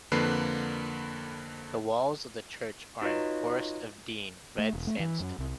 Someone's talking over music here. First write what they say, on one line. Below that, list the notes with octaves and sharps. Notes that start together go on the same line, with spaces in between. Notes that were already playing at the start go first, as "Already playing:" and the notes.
The walls of the church are in Forest of Dean red sandstone.
F2 D3 A#3 B4 F#6 C7
D#4 F4 F#4 B4 C#5 D#5
A3
E1
A3
E3
F#2
C2